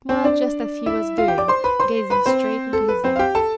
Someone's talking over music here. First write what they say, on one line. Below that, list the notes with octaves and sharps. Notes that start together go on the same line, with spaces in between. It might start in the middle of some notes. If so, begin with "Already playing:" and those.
She smiled just as he was doing, gazing straight into his eyes.
C4 C5
D4 D5
E4 E5
F4 F5
G4 G5
D5 D6
C5 C6
B4 B5
C5 C6
B4 B5
C4 C5
A4
B4
C4 C5
F5
G4 G5
A4 A5